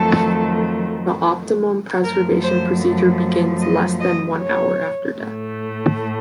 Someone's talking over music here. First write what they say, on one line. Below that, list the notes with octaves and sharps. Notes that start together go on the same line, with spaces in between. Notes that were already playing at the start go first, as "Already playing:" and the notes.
The optimum preservation procedure begins less than one hour after death.
Already playing: F2 D#3 F#3 A3 A4
F#2 F3 A3 A#4
C5
D#5
D#5
C#5
A2 A3